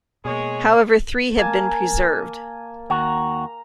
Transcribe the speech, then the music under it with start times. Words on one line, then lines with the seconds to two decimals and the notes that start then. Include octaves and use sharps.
However, three have been preserved.
0.25 B2 G#3 A#3 G#4 C#5
1.38 A#3 G#5 A5
2.90 D#2 F#4 A#5